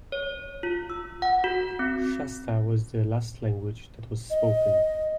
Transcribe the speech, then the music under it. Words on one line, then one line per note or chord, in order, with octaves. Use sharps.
Shasta was the last language that was spoken.
C#5
F4
E6
F#5
F#4
C4
D#5